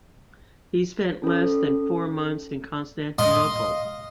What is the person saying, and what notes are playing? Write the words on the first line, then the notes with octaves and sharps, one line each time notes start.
He spent less than four months in Constantinople.
C#4 A4
D#5 F5 C6